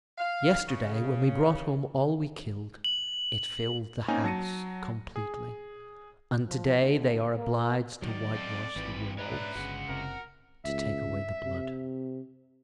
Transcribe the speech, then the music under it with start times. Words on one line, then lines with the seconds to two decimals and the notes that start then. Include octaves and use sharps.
Yesterday, when we brought home all we killed, it filled the house, completely; and, to-day, they are obliged to white-wash the walls, to take away the blood.
0.18 F5
0.67 C#3
2.84 F#7
4.08 A#3 C4 C#4 D#4 G#5
4.24 F#3 A5 A#6 C#7 D#7
5.16 G#4
6.48 F3
6.80 D2
7.36 A#3
8.02 D#3 F#3 D5
8.35 C4 D#4 F4 A4
8.76 G#1 E3 G3 C4 B4
9.18 G#2 D4 B4 C#5 E5 A#5
9.55 G1 C#3 G#3 F#4
9.89 F#1 C3 A#4
10.65 C#2 E5
11.44 C3